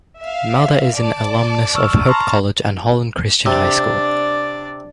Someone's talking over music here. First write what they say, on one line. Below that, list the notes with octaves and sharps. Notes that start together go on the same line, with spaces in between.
Malda is an alumnus of Hope College and Holland Christian High School.
E5 F5
D5 A5 D6
C#6 E6 F6
A5 A#5 C6 C#6 F6
C3 D4 D5